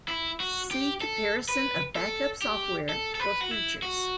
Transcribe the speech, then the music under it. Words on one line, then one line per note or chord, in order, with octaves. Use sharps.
See Comparison of backup software for features.
E4
F#4
G4
A4
B4
A4
G4
A4
A4
B4
F#4
E4
F#4